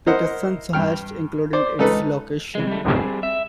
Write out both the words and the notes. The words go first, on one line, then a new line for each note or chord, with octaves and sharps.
Peterson's hoist, including its location.
E4 A#4 C5 D#5 F#5
G2 G5 F6
C5 D5
C#2 D#4 A4 B4
E3 G#3
G3 A3
G3 C4 G#4
E5